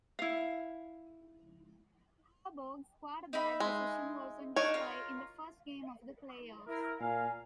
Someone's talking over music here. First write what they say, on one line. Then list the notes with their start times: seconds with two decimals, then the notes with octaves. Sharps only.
Harbaugh's quarterback decision was on display in the first game of the playoffs.
0.19 E4 F5
3.33 D#4 E5 B5
3.60 G#3
4.56 D4 D#4 C#5 F5
4.74 F4 A#4
6.67 E4 A#4
7.00 A#2 A#4 F5 G#5